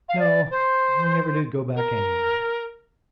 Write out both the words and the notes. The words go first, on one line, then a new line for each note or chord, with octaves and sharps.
No, we never did go back anywhere.
F5
D5
C5
A#4